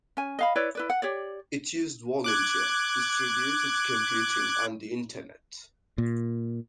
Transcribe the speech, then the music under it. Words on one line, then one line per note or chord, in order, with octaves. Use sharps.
It used volunteer distributed computing on the Internet.
C#4 G#5
D#5 F5 B5
E4 B4 C#5 D5
E4 B4 D5
F#5
G4 C#5 D5
D6 F#6 G#6
A#2